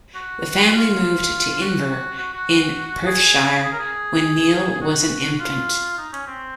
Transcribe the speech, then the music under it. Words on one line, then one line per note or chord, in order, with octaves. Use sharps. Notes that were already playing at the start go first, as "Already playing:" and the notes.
The family moved to Inver in Perthshire when Niel was an infant.
F#4
F4
F#4
F#4
F#4
G#4
G#4
A#4
G#4
F#4
F4
D#4
C#4
C4